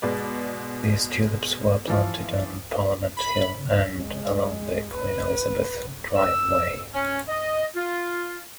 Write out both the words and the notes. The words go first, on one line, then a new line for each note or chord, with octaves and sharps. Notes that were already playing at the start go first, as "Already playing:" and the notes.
These tulips were planted on Parliament Hill and along the Queen Elizabeth Driveway.
B2 G#3 B4 D5
E3 F3 F4
B5
G#3
B4
E6
C#4
D#5
F4